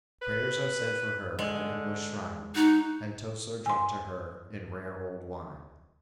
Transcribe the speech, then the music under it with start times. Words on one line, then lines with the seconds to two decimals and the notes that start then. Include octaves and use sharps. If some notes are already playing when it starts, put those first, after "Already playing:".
Prayers are said for her at English shrines, and toasts are drunk to her in rare old wine.
0.22 B4
1.39 D3 G#3
2.55 D#4 F#4
3.66 G#5 C6